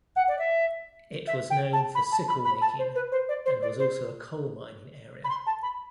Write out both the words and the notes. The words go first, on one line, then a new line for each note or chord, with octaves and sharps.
It was known for sickle making and was also a coal mining area.
F#5
D5
E5
E5
G5
A5
B5
A5
B5
B5
A5
C5
B4
C5
D5
C5
D5
C5
B5
C6
A5
B5